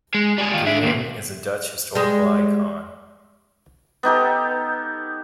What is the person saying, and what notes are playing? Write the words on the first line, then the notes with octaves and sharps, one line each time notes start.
Groen is a Dutch historical icon.
G#3
G3 G#4
D#3 F4
D4 E5
D#2 A#2
G3 G#3
B3 D#4 G4 A4